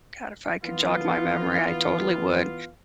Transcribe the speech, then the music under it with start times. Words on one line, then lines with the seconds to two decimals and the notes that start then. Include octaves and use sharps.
god, if I could jog my memory, I totally would.
0.64 E3 B3 F4